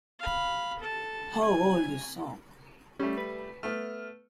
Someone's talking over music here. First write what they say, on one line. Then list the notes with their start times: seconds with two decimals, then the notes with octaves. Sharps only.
How Old Is Song?
0.19 F5 B5
0.79 A4 A5
1.41 G#5
3.00 G3 A3 C#4
3.18 B4
3.63 A3 B3 F6